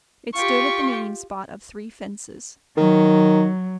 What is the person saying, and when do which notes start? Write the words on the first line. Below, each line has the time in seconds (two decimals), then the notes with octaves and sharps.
It stood at the meeting-spot of three fences.
0.34 F4 G4 C#6
2.77 D#3 F#3